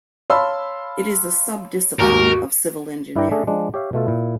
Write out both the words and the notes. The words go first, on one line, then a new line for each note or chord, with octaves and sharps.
It is a sub-discipline of civil engineering.
C#5 F5 A5 B5 C6 E6
D#2 G#2 F#4 A#4
G2 E4 B4 D5 G5 A#5
A3 D4 G#4 A4
F3 G#3 D4
G4 C#5 E5 F5
B2 A3 F4 A4
A#2 E4